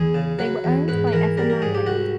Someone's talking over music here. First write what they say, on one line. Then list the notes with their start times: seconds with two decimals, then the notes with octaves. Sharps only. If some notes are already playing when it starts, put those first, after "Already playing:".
They were owned by Effa Manley.
Already playing: E2 G#4
0.14 C#3
0.39 F#3 B4
0.64 E2
0.88 G#2 B4
1.07 B4
1.13 E3 A#4
1.37 G3 A#4
1.50 A#4
1.62 G#2 G#4
1.75 G4
1.86 C2 F#4